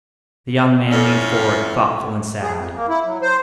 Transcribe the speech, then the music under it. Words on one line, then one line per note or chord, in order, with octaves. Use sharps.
The young man leaned forward, thoughtful and sad.
F2 A2 C#4 F4 A4
G#4
F2
A#3
E4
F#3
C5